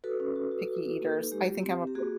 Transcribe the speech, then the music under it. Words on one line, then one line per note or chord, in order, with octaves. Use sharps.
picky eaters, I think I'm a p
F#4 A4 B4
C#4
F#4
F#4
F#4
F#4
A#3
D#4
G#3 G4
F4
C4
C4
G4
A#3 F#4 G#4